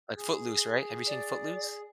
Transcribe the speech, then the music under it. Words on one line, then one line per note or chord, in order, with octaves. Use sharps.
Like, Footloose, right? Have you seen Footloose?
G#4
D5